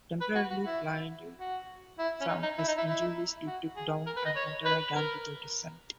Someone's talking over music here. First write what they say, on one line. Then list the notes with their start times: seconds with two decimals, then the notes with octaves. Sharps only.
Temporarily blinded from his injuries, he took down an entire gang without his sight.
0.21 B4
0.35 F#4
0.50 F#4
0.65 E4
1.39 F#4
1.99 E4
2.21 C#4
2.28 D#4
2.43 D#4
2.58 E4
2.68 D#4
2.77 E4
2.88 E4
3.47 F#4
3.76 G#4
4.06 A#4
4.16 B4
4.26 D#5
4.36 C#5
4.65 B4
4.95 A#4